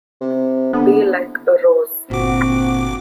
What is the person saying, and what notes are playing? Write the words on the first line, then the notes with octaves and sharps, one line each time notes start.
Be Like a Rose!
C3
D3 B3
G1 A#2 C4 F#4 D6